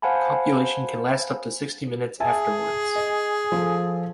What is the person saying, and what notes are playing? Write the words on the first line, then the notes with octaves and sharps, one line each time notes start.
Copulation can last up to sixty minutes afterwards.
C5 F5 F#5 G#5 A5 B5
G#4 E5 G#5 A5
D#5
F3 A4